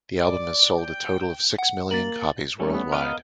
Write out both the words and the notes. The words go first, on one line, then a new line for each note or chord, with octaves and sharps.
The album has sold a total of six million copies worldwide.
D5
G5
F#5
A#3 A#4 A6 F#7
G3 A3 C#4 A#4
B3
A#4 D#5 F5